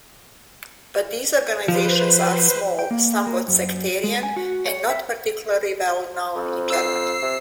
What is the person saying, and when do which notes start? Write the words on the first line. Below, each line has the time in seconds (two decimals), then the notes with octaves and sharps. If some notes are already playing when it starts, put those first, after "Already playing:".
But these organizations are small, somewhat sectarian, and not particularly well known in Germany.
1.68 F3 B4 C5
2.79 G5
2.91 A#3
3.27 A#3
3.48 F#2
4.04 G#3
4.23 G#5
4.36 F#4
4.65 C#5
4.90 E5
6.35 F2
6.70 E6 C7
7.22 C3